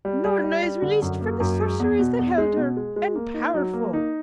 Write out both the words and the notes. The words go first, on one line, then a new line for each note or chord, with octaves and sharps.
Noorna, is released from the sorceries that held her, and powerful.'
G3
G3
G3
G3
D3
F#2
A#3
F#2
G#3
E2
B2
E2
G#3
B2
G#3
G#3
A#3
D#4
F#3
A#3
D#4